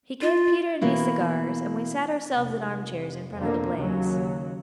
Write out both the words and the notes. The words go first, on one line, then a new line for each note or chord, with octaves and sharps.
He gave Peter and me cigars, and we sat ourselves in armchairs in front of the blaze.
F4
B2 E3 A#3 E4
F1
F2 B2 D3 A#3
D#2 C#3 F#3